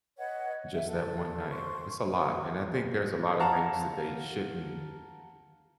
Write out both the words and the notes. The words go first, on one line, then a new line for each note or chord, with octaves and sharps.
just that one night, it's a lot, and I think there's a lotta things that they shouldn't,
B4 C#5 D#5 F#5
E5
A4
C5 C6 C#6
F5 F#5 A5 A#5